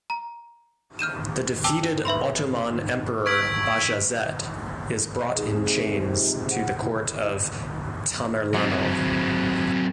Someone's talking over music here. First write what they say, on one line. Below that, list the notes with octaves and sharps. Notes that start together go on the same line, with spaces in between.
The defeated Ottoman Emperor Bajazet is brought in chains to the court of Tamerlano.
A#5
F6 G6 D#7 E7
G5 A5 D6 E6
B4 E5 B5 C6
C#6 E6 G#6 B6 D7 F#7
G#2 C3 G#4
F4
F#5
E4
F#3 C4